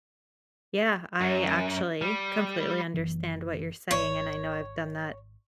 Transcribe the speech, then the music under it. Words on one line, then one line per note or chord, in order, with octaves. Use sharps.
Yeah, I actually completely understand what you're saying, and I know I've done that
F#2
G3
F#1 E3
G#1 C#5